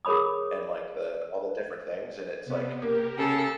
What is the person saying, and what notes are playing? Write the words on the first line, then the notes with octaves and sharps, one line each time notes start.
and, like, the all the different things and it's like,
G#4 A#4 C#5 B5 D#6
C3 B3
A#3 G4 A#4
C#3 A4